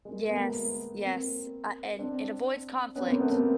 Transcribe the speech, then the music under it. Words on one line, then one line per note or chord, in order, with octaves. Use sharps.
Yes, yes, uh, and it avoids conflict.
G#3 A#3
A#3
A3 B3
A#3 C4
C4 D4
B3 C#4
A#3 C4
A3 B3
A#3 C4